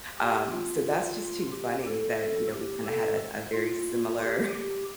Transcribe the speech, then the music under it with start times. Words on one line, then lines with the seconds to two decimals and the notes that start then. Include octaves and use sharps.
Um, so that's just too funny that, you know, we kinda had a a very similar
0.19 G4
0.51 F4
1.52 G4
1.87 A4
2.53 G4
2.86 A4
3.54 F4
4.21 G4
4.54 G4